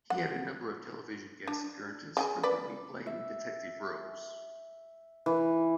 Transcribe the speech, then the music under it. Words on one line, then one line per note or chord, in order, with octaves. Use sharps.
He had a number of television guest appearances, frequently playing detective roles.
F#5
D4
C#3 G5 G#5
B4 D5
E5
E3